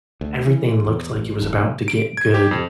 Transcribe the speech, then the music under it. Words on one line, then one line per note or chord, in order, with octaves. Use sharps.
everything looked like it was about to get good,
D2
E3
E2
A1
D#1
D7
G#6
G4
F2